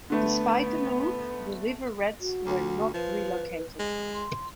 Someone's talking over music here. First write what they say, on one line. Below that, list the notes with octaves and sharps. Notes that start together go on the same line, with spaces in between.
Despite the move, the River Rats were not relocated.
D3 A3 B3
F#4
D2
F3 B4
G#3
C6